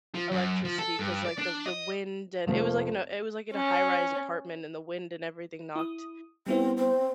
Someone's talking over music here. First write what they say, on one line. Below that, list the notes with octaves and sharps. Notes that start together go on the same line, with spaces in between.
electricity 'cause, like, the the wind and it was, like, in a it was, like, in a high rise apartment, and the wind and everything knocked
F3
F#2
F3
A4
G2
D5
D4
D#5
F1 F3 A3
C#4
E4 D#6
G3 B3 C4 E4
C4